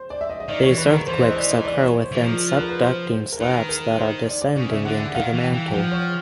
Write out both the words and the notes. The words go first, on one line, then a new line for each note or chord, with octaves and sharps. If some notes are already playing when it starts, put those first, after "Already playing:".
These earthquakes occur within subducting slabs that are descending into the mantle.
Already playing: C5
D5
E5
D#5
D#5
D#3 D5
C#5
E3
B4
D#3 A#4
E3 C5
C5
D#5
D5
D#5
D5
C#5
C5
E3
F3 A#4
B4
A#4
B4
C5
C5
A#4
D#3 B4
A#4
C5
D5
D5
C#3
C#3 E5
D3 F#5
F#5
D#3 F5
E3
G5
E3
G5
F3 F#5
C#5